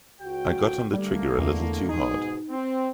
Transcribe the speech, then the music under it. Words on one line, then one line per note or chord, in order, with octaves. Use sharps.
I got on the trigger a little too hard.
C#2 F#4 G5
D3 G3 A3 A#3
E2
G#2 B2 D#4 G#4
C4